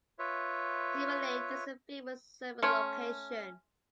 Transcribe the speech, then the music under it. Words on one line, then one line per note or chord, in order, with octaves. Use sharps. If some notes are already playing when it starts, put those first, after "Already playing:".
Steamer Lane is a famous surfing location.
F4 B4 C#5 E5
A3 C#4 C6 F6 C#7